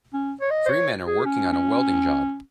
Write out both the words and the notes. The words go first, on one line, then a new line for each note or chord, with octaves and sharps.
Three men are working on a welding job.
C#4
C#5
D#5
C5
C#5
G#4
C#4
C#4